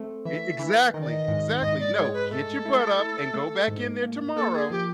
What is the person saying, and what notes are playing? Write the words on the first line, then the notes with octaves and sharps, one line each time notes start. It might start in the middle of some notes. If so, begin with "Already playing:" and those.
E exactly. Exactly, "No, get your butt up and go back in there tomorrow,
Already playing: A3 C4
E3 E5
E3
D#3 D#5
D5
D#5
G#2
G#2 D#5
D5
G#3 C#5
B4
A3 A4
E4
E4
A3
G#2
A#3
A#3 A4
G#4
F3 G4